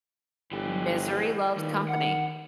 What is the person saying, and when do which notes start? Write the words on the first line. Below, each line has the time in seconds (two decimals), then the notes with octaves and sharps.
Misery loves company.
0.52 G1 E3 G4
1.57 G2 A#2 D#3
1.89 F#5